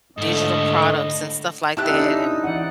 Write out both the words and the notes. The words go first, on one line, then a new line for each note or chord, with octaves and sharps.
digital products and stuff like that, and
G#2 D3 A3 D#5
D#4 E4 G4 A5 E6 F#6
C#4 D4
E3 D5 F#5